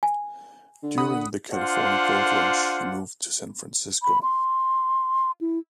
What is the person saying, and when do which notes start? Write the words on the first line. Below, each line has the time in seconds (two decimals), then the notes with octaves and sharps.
During the California Gold Rush he moved to San Francisco.
0.03 G#5
0.83 D3
0.98 F#5 B5 D#6
1.53 D4 F4 C5 F5 F#5
4.03 B5
4.23 C6
5.41 E4